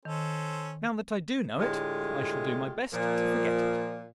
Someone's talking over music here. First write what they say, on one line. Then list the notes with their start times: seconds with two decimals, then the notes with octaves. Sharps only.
"Now that I do know it I shall do my best to forget it."
0.05 D#3 C#4 A4 C5
1.59 A2 D3 G#3 A3 F4 G4
2.93 A#2 F3